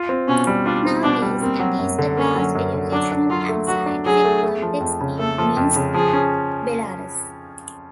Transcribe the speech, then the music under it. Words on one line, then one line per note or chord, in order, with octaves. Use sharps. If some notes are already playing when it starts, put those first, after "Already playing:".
Nowadays it is a large educational and scientific complex in Minsk, Belarus.
Already playing: F4
C4
B2 C#4
G3
D4 F4
C4
B2 D4
G3
A#3 C4
F#3
F#2
D3
A#3 C#4
F#3
F#2
D3
F#3 D4
D4
F#3 F4
A3
F#3 F#4
D4
F#3 G#4
A3
A3
F3
F2
C#3
A3 A4
F3
F2
C#3
F3 G#4
C#4